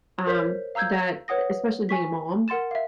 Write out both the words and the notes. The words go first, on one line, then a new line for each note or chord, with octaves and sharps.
um, that, e especially being a mom,
A#4 C5 C#5 G6 B6
F5 A#5 E6 G6 G#6
B4 C#5 F#5 D#6 A#6
G#5 C#6 B6
A#4 F#5 C6 A6 E7
E5 F5